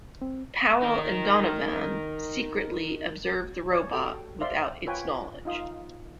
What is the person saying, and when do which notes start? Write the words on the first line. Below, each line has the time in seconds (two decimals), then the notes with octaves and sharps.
Powell and Donovan secretly observe the robot without its knowledge.
0.22 C4
0.83 D#4 A#4
3.72 C#5 D5
3.92 F#4 G4 A4 G5 A5
4.40 C5 D5 E5 F5 C6
4.87 F4 B4 C#5 G5 G#5
5.45 D#4 F4 F5 D#6